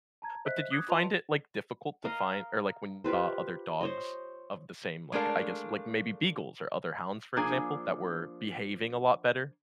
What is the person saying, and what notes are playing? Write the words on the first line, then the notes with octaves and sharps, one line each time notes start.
but did you find it like difficult to find or like when, uh, other dogs of the same like I guess like maybe beagles or other hounds, for example, that were behaving a lot better?
A5 A#5 G#6
C5 D#5 E5 F#6 B6
D6 D#6 F#6 G#6
F4 B4 D#5 A5 C6 F7
A#4 D#5 F5 A#5
F4 G4 B4 C5
C5 C#5 D#5
G#3 A3 D4 A#4 F5
F3 A#3 D4 G#4 G#5